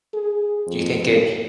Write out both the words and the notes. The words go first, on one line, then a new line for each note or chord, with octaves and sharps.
Do you think it
G#4
F2